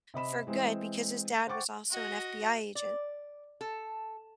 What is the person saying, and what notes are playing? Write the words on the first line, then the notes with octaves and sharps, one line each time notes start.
for good because his dad was also an FBI agent,
C3 D#5 B5 E7
E3 G#3 C4
C5 F#5 G5 C#6 D6 A6
F#4 D#5
D5
A4